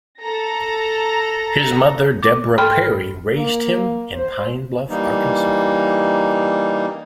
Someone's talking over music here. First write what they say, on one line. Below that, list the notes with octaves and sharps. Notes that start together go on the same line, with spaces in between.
His mother Deborah Perry raised him in Pine Bluff, Arkansas.
A4 A#5 A#6
D6
G#2 A4 G5 B5 F6
A#3
C5
E3 G3 A#3 D#4